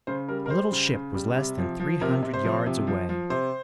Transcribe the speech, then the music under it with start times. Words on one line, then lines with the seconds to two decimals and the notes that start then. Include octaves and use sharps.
A little ship was less than three hundred yards away.
0.07 C#3 C5
0.28 G3 A#4
0.46 A#4
0.50 G3 C5
0.72 C#3
0.94 C#3
1.14 G3
1.36 C3
1.58 F3
1.80 F3
2.01 C3 A#4
2.23 C3
2.34 C5
2.44 F3
2.66 C3
2.87 F3
3.09 F3
3.30 C3 C5